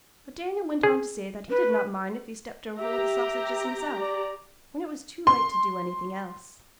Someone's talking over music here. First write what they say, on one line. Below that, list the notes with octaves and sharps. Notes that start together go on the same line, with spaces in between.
But Daniel went on to say that he did not mind if he stepped over with the sausages himself, when it was too late to do anything else.
G#4
B4
G4 E5 A#5
D5
C6